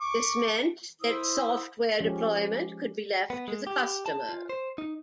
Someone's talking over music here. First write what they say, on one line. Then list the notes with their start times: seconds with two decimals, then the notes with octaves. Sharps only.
This meant that software deployment could be left to the customer.
0.01 C#6 D6
1.00 E4 C5 D#6 E6
2.00 F3 G#3 C#4 G4
3.30 B3
3.48 G#3
3.67 G4
4.06 A5
4.29 F4
4.49 C5
4.78 D#4